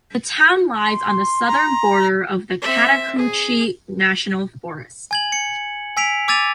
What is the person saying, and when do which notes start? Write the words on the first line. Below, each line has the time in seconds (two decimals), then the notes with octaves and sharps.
The town lies on the southern border of the Chattahoochee National Forest.
0.79 C6
1.48 A#5
2.62 C4 E5
3.18 G#4
5.11 G#5 G#6 F#7
5.32 C#7
5.97 G#5 E6 B6 D7 F7
6.28 D6 E6 G#6 A6 D#7 F7